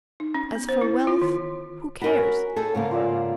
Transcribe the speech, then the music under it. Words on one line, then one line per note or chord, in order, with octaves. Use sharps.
As for wealth, who cares?
D#4
C#4
B3
C5
E4
F4
D#3
C#4 F#4 A#4 B5
D#4 G#4 A4
G#2 C#3 A#3
F4 D5 E6